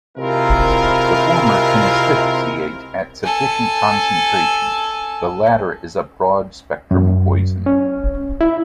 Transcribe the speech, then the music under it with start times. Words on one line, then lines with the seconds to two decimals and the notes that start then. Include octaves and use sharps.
The former can asphyxiate at sufficient concentration; the latter is a broad spectrum poison.
0.18 C3 G#3 C4 E4 F4 A#4
3.24 A4 G#5
6.91 F#2
7.66 C#4
8.41 E4